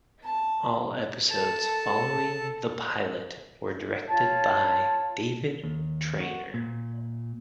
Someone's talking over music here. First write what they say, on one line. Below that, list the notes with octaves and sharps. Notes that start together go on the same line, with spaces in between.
All episodes following the pilot were directed by David Trainer.
A5
A4 A5
F4 C#5 A5
D#2
F#4
A#2